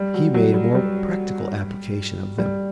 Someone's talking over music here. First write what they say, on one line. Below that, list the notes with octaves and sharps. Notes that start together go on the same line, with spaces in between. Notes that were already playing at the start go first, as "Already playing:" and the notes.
He made a more practical application of them.
Already playing: G3
F#3
F#3
G3
G3
G3